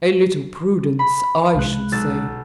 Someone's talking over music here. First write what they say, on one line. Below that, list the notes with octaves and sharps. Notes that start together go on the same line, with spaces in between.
"A little prudence I should say."
B5
C2 G#3 F#6
B1 E6 A6